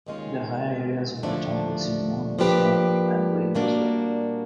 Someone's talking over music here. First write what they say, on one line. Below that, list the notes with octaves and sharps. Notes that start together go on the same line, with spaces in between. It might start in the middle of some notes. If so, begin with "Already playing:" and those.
The higher areas of the town receive more snow and rain as well.
D#2 D#3 G#3 C#4 F4
D#2 D3 F3 A3 D4
F3 A#3 D4 G4 B4
A#2 G3 A#3 D4 F#4